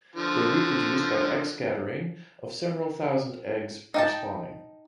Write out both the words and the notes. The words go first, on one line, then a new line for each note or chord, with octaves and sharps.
They reproduce by egg scattering of several thousand eggs per spawning.
D3 F3
D#4 G5 A5